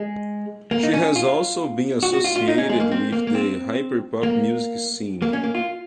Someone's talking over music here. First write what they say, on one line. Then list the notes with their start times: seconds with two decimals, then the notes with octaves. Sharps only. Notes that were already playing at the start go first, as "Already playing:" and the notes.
She has also been associated with the hyperpop music scene.
Already playing: G#3
0.71 A#3
0.83 D#4
0.93 C#4
1.16 F4
2.03 F#4
2.13 F#4
2.24 F4
2.36 F4
2.48 D#4
2.58 C#4
2.69 G#3
2.80 A#3
2.92 C4
3.12 A#3
3.27 A#3
3.35 C4
4.23 A#3
5.22 A#3
5.33 C#4
5.44 A#3
5.55 F4